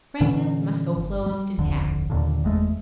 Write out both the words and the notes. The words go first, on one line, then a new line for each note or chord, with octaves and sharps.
Frankness must go clothed in tact.
A#2 D3 E3 C#4
G1
G3
D#1 A#1 F2 D3
D#2 A#2 D3
F#1 E2 G#3 A3